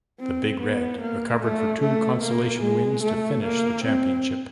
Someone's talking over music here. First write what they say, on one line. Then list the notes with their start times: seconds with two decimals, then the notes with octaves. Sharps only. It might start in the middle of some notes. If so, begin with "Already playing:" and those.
The Big Red recovered for two consolation wins to finish the championship.
0.20 C4
0.60 B3
1.00 A#3
1.41 A3
1.81 A3
2.22 A#3
2.62 G#3
3.03 A3
3.43 A#3
3.84 C4